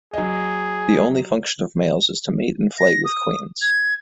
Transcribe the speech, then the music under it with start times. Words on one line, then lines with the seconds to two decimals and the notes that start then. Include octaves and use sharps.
The only function of males is to mate in flight with queens.
0.13 F#3 G#4 D#5
2.79 A#6
3.05 D#6
3.62 G#6